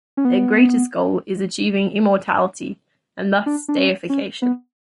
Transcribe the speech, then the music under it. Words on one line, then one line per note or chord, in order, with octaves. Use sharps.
Their greatest goal is achieving immortality and thus deification.
C#4
B3
D4
D4
C#4
C#4
B3